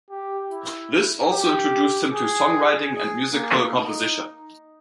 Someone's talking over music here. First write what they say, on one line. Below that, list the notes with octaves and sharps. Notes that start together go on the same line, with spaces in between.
This also introduced him to songwriting and musical composition.
G4
E4
G4
G#4
G#4
A#3
D#4